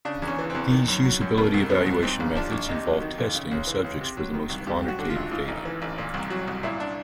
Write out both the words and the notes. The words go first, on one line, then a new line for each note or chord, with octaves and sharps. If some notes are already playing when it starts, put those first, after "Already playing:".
These usability evaluation methods involve testing of subjects for the most quantitative data.
C#3 D4
E2
C#4
E3
E2 C4
D#3
F#2
F#3
F#2
B2 A#3
C2
F#3 B3
C2
G#2 C4
A#1
F3 D4
A#1
C3 D#4
F#3
D#3
F2
C#3
C#2
E3
C#2
C3
F#3
D#3
C2
G2 G4
F#3
F#4
D3
F4
G#1
G#2 F4
A1
E3
A1
A#2
C2
F#3
C2
A#2 E4
D4